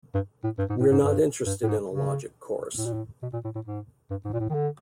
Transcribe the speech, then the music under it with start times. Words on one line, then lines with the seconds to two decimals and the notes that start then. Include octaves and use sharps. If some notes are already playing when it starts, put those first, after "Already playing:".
We're not interested in a logic course.
0.14 G2
0.44 A2
0.59 G2
0.70 G#2
0.80 A2
0.92 G#2
1.03 G2
1.46 G2
1.63 A2
1.69 G#2
1.90 C#3
2.78 A2
2.86 A#2
2.93 A2
3.22 B2
3.33 A#2
3.44 A2
3.55 A2
3.66 G#2
4.10 G2
4.25 G#2
4.34 A#2
4.40 A2
4.50 D#3
4.54 D3